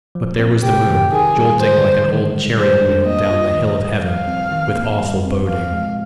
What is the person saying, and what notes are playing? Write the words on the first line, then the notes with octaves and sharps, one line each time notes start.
But there was the moon jolting like an old chariot-wheel down the hill of heaven, with awful boding!
F3
C4
C3 G4
D#3
D#3 G#4
G3
D3 C5
G3
D#3
G#3
G3 C5
D4
A#3 D#5
F4
D#3
G3
F3 F5
C4
D#3
A#3
G3
C4
F3 F5
G#3